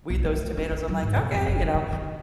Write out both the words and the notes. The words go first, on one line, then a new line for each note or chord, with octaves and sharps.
weed those tomatoes." I'm like, "Okay," you know?
B1
A3
D4
E3
F#3
G#2
B2
F2
F#1
F#2
D3
D#3